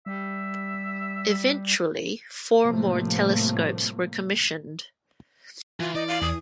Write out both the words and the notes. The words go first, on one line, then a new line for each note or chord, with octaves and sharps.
Eventually four more telescopes were commissioned.
G3 E5
A2 C3 F3 G3 A3 A#3
E3 F4
E3 D5 D#5
F5
E2 D#6